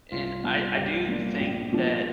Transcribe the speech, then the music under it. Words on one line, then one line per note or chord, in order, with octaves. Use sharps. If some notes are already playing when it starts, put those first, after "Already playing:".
and I I do think that
C2 F4
A#2 G3 A#3 F4 F5
C2 G4 G5
A#2 G3 A#3
A#1
A#2 F3